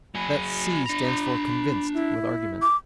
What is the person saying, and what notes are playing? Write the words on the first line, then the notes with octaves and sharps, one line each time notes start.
That 'C' stands for 'convinced,' with argument.
F#3 G#4 B5
D4 A#5
E4
D6